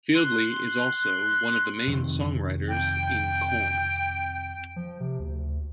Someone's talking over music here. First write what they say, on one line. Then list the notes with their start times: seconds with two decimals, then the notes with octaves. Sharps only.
Fieldy is also one of the main songwriters in Korn.
0.15 C6 F#6
1.87 F2 C3 D#3
2.69 G5
4.76 F3
5.00 C3
5.20 D2